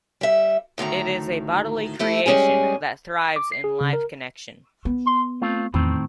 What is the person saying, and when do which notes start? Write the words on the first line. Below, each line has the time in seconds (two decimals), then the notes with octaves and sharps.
It is a bodily creation that thrives in live connection.
0.21 G3 E5
0.78 D2 A2 D#3 A#5
1.99 A3 E4 G4
2.26 G3 G#3 C#4 G4 G#4
3.36 D6
3.52 C7
3.64 G#4
3.81 C#3
3.93 A#4
4.85 B3
5.06 C6
5.42 A3 C4 F4
5.74 E2 A2 D#3 C4